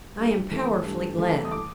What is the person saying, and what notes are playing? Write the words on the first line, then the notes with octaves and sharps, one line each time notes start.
I am powerfully glad.
G2
E3 A3
G2
E3 A3
D#6
D6